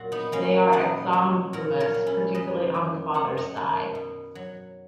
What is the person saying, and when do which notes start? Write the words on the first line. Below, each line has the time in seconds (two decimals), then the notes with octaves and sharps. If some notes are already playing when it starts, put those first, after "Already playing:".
They are exogamous, particularly on the father's side.
Already playing: A#2 F#3 F#4
0.12 B3 D#4
0.32 F#3 A#3 C#4
0.72 A#2 B3 D#4
1.13 F#3
1.53 A#2 F#4 A#4
1.80 A#4 C#5
1.94 F#3
2.06 C#4 E4
2.34 F#2 B4 D#5
2.74 D#3 F#3
3.14 F#2 F#5
3.38 D#5 F#5
3.55 D#3 F#3
3.95 B2
4.35 F#3